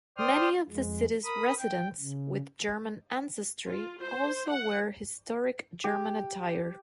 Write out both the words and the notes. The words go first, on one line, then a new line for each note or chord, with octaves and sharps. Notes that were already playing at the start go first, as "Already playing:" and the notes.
Many of the city's residents with German ancestry also wear historic German attire.
C5 D5 G5 C6 D#6 F6
F2 G#3
A#4 B5 D#6
G5
C#3
F4
C5
F#5
G4